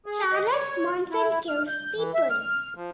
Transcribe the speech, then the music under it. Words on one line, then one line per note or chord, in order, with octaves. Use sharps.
Charles Manson kills people.
G#4
D#5
C#5
E4
F6
G6
E3
E5
F6
F3